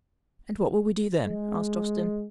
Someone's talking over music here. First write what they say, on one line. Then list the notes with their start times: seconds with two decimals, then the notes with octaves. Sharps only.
"And what will we do then?" asked Austin.
1.22 G#3